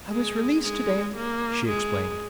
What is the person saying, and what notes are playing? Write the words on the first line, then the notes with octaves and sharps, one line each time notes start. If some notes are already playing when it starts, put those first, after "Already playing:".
"I was released to-day," she explained.
G#3
G#3
A#3
G#3